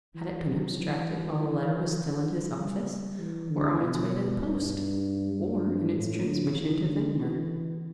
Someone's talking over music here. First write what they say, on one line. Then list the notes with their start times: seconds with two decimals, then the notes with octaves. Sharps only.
Had it been abstracted while the letter was still in his office?--or on its way to the post?--or in its transmission to Ventnor?
0.14 E3
0.46 F#3
0.75 E3
1.37 E3
2.58 G3
3.19 E3
3.50 D3
3.81 B2
4.42 G2
5.33 G2
5.94 A2
6.24 D3
6.54 E3
6.85 D3
7.16 E3